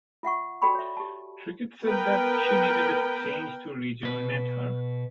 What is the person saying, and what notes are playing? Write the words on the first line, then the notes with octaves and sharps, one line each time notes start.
Trickett said that she needed a change to rejuvenate her.
F4 E5 F#5 C#6
F#4 A4 D5 G5 B5 C#6
C#5 E5
G4 A5
B3 A#4 B4 G5
B2 B4